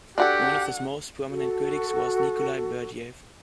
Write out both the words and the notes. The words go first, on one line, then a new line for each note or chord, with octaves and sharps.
One of his most prominent critics was Nikolai Berdyaev.
D4 F#4 G4 A4 F#5
F#4 A4